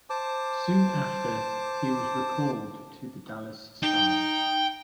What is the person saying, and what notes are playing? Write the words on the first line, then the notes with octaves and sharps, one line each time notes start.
Soon after, he was recalled to the Dallas Stars.
C5 A5 D6
D#4 G5